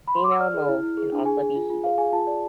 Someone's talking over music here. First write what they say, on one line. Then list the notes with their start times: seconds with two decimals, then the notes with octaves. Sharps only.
The female mold can also be heated.
0.08 B5
0.16 C6
0.24 D6
0.32 E6
0.40 D5 F6
0.54 G#4
0.68 E4
0.83 E4
0.97 G#4
1.12 D4
1.25 G#4 G#5
1.41 G#4
1.56 F4
1.70 F4
1.84 G#4 F5
1.98 G#4 G#5
2.13 F4 A5
2.27 D5